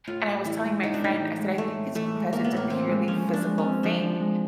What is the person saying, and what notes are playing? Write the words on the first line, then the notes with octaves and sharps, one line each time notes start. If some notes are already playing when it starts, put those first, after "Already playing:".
and I was telling my friend, I said, "I think it's because it's a purely physical thing,
A2 F4
A2
E3 E4
G#3
A2 D#4
D4
A2 D#4
E3
G#3
A2 A3
A2
E3 A3
G#3
A2 A#3
B3
A2 A#3
E3 C4
G#3
F3 C#4
F3
D4
G#3
C#4
C4
F3 D4
F3
G#3